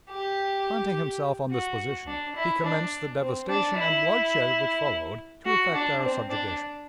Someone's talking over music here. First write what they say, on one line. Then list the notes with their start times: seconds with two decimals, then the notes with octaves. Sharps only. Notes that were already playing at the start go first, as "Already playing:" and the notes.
Planting himself on this position, he commenced the devastation and bloodshed which followed to effect our subjugation.
0.10 G4
1.51 F#4
2.07 D4
2.36 E4
2.64 D4
3.20 C4
3.49 D4
3.77 E4
5.45 F#4
5.74 D4
6.02 C4
6.30 D4